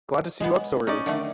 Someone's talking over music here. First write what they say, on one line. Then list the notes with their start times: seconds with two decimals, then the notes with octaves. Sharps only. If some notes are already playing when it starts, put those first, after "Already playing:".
Glad to see you up so early.
0.40 G#3 B3
0.87 C#4 D#4 D5
1.06 D3 D#3 A3